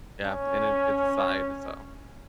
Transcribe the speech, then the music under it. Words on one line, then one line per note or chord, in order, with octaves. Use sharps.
yeah, and then it's a side, so
C#4